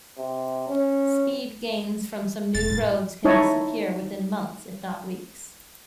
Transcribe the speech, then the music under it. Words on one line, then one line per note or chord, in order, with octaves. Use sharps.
Speed gains from some new roads can disappear within months, if not weeks.
C3
C#4
E1 A6
A2
D#4 E4 C#5 D#5 A5